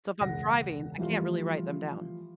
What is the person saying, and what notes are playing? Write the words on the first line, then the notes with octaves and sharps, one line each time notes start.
So, if I'm driving, I can't really write them down.
E1 C#2 F#5 A#6
E3 F3 G3 A3 F4